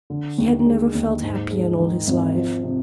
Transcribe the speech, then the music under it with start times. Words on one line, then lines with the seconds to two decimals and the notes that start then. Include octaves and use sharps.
He had never felt happier in all his life.
0.10 D3
0.38 D#2
0.66 G#3
0.95 D#2
1.23 G#2
1.51 G#3
1.79 D#3
2.07 G#1
2.35 F3
2.64 C3